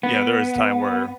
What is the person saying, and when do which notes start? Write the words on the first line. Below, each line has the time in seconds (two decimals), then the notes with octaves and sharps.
yeah, there was a time where
0.03 B3